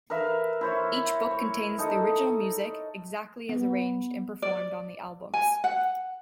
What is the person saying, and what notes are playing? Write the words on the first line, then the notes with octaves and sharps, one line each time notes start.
Each book contains the original music, exactly as arranged and performed on the albums.
A#4 B4 E5 F5
E4 C5 C#5
E5
C#5
D#4 A4 D#5
B3
D5
G#5
F#5